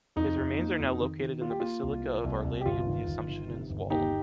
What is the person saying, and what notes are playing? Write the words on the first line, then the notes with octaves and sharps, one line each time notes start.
His remains are now located in the Basilica of Our Lady of the Assumption in Zwolle.
F2 D#4
F2
A#3
F2
D#3
D#3
A#3 F4
G4
A#3 F4
C2
A#3
C2
C2
G4
G1 F4
D#3
G1
D#3
C3
G1
D#2 D#4 G4